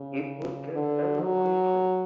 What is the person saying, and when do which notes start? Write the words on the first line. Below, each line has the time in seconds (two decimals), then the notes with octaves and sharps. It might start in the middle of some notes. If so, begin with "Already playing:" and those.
It will get better quickly.
Already playing: C#3
0.73 D3
1.22 F#3